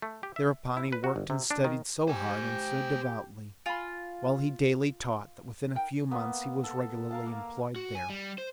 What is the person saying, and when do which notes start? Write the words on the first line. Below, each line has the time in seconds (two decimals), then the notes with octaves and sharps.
Thereupon he worked and studied so hard and so devotedly, while he daily taught, that within a few months he was regularly employed there.
0.02 A3
0.23 G4
0.36 E5
0.77 E4
0.92 B4
1.04 F#4
1.16 G1
1.30 C3
1.51 D4
1.64 D#3
2.08 G4 C5 G5 G#5
3.66 F4 G#5 B5
5.75 D#4 A#4 G5
6.11 A#3 B3
6.64 A4
7.11 A#4 F5 A5
7.26 A#3
7.76 F#4
7.95 G#5
8.10 G3
8.38 C5